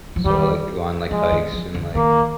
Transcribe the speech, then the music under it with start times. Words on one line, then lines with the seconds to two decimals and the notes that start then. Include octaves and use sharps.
So I like to go on, like, hikes and, like,
0.16 F3
0.25 D#3 G3
1.10 F3 G#3
1.31 D#3
1.53 F3
1.75 D3
1.95 D#3 A#3